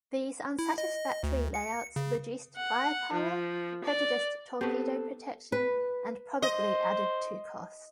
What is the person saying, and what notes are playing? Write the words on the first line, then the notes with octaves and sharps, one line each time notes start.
These unsatisfactory layouts reduced firepower, prejudiced torpedo protection and probably added to cost.
E4
D#5
D2
C#7
C#3
F#5
F3
D5
B3 C4 G4 A4 B4 A5 C#6
B4
C5 D#5